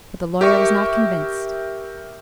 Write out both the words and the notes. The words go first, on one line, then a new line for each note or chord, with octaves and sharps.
But the lawyer was not convinced.
G4 A#4 E5 C#6